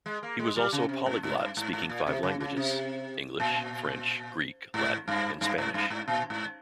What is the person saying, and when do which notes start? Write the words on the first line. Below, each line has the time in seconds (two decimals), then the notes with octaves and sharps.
He also was a polyglot, speaking five languages: English, French, Greek, Latin and Spanish.
0.06 G#3
0.23 A#3
0.39 G#3
0.56 G3
0.72 C#3
0.89 C3
1.06 G#2
1.23 G#2
1.39 G2
1.57 G#2
1.73 G#2
1.89 A#2
2.07 C3
2.23 C#3
2.40 C#3
2.57 C3
3.40 A#2
4.74 G#2
5.08 G2
5.41 G2
5.58 G#2
5.74 G2
5.90 G#2
6.08 A#2
6.30 G#2